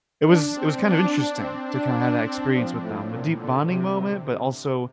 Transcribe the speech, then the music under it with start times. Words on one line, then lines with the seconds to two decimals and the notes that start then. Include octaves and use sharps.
it was it was kind of interesting to kinda have that experience with them, a deep bonding moment, but also,
0.25 D4
0.55 C4
0.83 D4
1.39 C4
1.67 D4
1.96 D4
2.24 C4
2.53 F3
2.81 A2
3.09 A#2
3.38 D3
3.66 C3